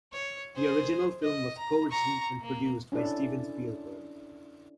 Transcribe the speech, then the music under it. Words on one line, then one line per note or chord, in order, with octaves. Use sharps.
The original film was co-written and produced by Steven Spielberg.
C#5
G#4 C5
D#5
A#5
A#5 C#6
A#3
C#4 D4 E4 A4 D5